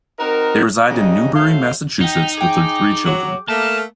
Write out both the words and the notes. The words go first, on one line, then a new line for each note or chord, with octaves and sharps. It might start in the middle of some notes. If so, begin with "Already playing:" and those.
They reside in Newbury, Massachusetts with their three children.
C4 D#4 F#4 A#4
F#2 C#3 D4 D#4 G4 D#5
F#3 A3 C5 F5
D#4 G4 F#5
G#4 G5 D6
F#3
A3 A#3 A5 F6